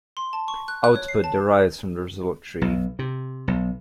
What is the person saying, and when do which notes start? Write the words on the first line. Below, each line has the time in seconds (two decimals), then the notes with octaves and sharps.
Output derives from the result tree.
0.17 C6
0.33 A5
0.48 C#6
0.68 F#6
0.84 F#6
0.96 C#5
1.08 C7
1.24 A5
2.61 B1
2.99 C3
3.48 B1